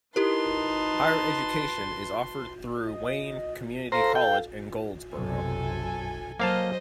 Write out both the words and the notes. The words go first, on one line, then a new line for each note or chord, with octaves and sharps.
Higher education is offered through Wayne Community College in Goldsboro.
D#4 E4 G4 A#4 B4 A5 C6
D#5
A4 C5 F5 A#5
G5
B1 F#2 C3 A4 G#5
F#3 A#3 C5 D#5 F5 A5